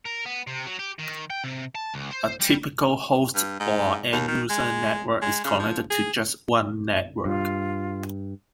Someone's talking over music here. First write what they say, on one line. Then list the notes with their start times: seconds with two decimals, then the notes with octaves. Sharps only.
A typical host or end-user network is connected to just one network.
0.05 A#4
0.25 B3
0.47 C3
0.66 F#3
0.79 G4
0.99 D#3
1.30 G5
1.44 C3
1.75 A5
1.94 C#2
2.11 C5
2.40 G3
3.35 G2
3.60 G#2
4.13 D#2
4.28 D#3
4.50 G#3
5.22 G#3
5.44 C#3
5.59 F3
5.90 G#4
7.25 G2 F4